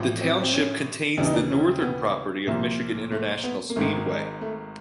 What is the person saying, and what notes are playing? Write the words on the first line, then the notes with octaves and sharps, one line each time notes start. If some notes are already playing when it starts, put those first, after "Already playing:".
The township contains the northern property of Michigan International Speedway.
Already playing: A1 A2 F3
C4
C4
C#4
D#2 C#3 E3 D4
D#4
D4
C#4
B3
C2 A#2 F3
A3
B3
A#3
G#1 G#2 D#3 A3
G#3
A3